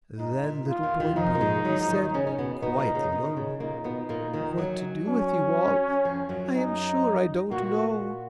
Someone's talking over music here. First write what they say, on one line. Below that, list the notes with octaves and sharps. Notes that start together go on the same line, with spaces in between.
Then Little Boy Blue, he said, quite low, "What to do with you all I am sure I don't know."
G#2 D#4
A#2
F4
D#2 D#3
D#2 D#3
F2 F3 D#4
A#3
G#2 G#3
F#2 F#3
F3
D#2 D#3
C#3 C#4
C#4
B2 B3
B2 B3 D#4
A#2 A#3
C#3
B2
D#3
C#3
A#2 A#3 D#4
B2 B3
A#2 A#3
D#2 D#3
F#2 F#3
C#4
F2 F3
F#2 F#3
D#4
A#2 A#3 F#4